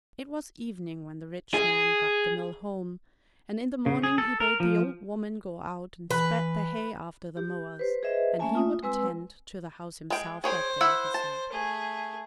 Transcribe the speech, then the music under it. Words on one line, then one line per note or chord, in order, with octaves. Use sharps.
It was evening when the rich man got the mill home, and in the morning he bade the old woman go out and spread the hay after the mowers, and he would attend to the house himself that day, he said.
G#4
C#3
G#4
A4
A#4
F3
E3 B4
G4
B4 C5
G#4 B4 C5 D#5 E5
A3 A#3 C#4 E5 G#5 A5
F4 D#6
G#3 C4 B4 G#5 E6
G#3 G5
G#4 C5 C#5 G5
E4 E5 F#5
A5
A3 G#4